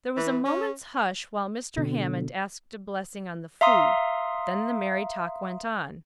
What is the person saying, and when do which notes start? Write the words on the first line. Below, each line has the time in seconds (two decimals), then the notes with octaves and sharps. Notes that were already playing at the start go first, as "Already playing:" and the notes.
There was a moment's hush while Mr. Hammond asked a blessing on the food; then the merry talk went on.
0.17 E3
0.45 C#4
1.77 B2 D3
3.61 E5 F5 A#5 C6 D#6